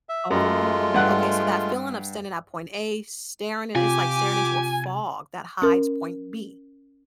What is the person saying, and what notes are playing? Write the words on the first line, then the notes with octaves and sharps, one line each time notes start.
Oh, okay. So, that feeling of standing at point A staring i it's like staring into a fog that hides point B.
E5
F#2 G#3 A3 F4
G2 F#5 F#6
C3 F4 G4 G#5 D6
C#4 A#4